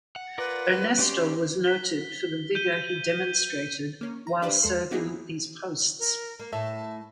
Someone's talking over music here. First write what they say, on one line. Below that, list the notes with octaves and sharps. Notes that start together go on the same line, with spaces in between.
Ernesto was noted for the vigour he demonstrated while serving these posts.
F#5
F4 A#4 B4 D5
C#4 G4 D5 C6
B6 G7
G6 D#7 G7
A#3 C#4
A#5
D4 G4 B4 C5 D5
E2 G#3 A4 C6
A#3 B3 D#4 E4 F#4 G#4
A#4
A#3
A2 C#5 E5 A5